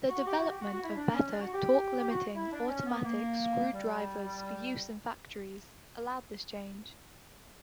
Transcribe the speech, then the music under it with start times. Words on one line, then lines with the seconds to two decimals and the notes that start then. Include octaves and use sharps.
The development of better torque-limiting automatic screwdrivers for use in factories allowed this change.
0.08 F#4
0.26 G4
0.37 F#4
0.49 G4
0.61 F#4
0.72 F#4
0.83 E4
0.95 D4
1.12 C#4
1.30 D4
1.41 F#4
1.53 G4
1.99 G4
2.11 F#4
2.34 E4
2.52 D4
2.68 C#4
2.86 B3
3.03 A#3
3.72 G3